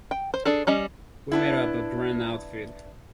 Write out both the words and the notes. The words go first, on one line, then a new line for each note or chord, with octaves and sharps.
We made up a grand outfit.
G5
C5
D4 G#4 A4
G3 C#4 D#5
B3 D4 E4